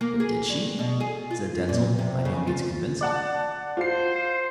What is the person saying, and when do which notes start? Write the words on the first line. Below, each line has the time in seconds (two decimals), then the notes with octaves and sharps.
"But did she?" said Denzil, by no means convinced.
0.01 A#3
0.20 G#4
0.49 G2
0.79 B2
1.00 G#4
1.31 F4
1.69 A#2
1.99 C3
2.25 C#3
2.47 F4
3.01 D5 F#5 A5
3.77 F4 C5 C7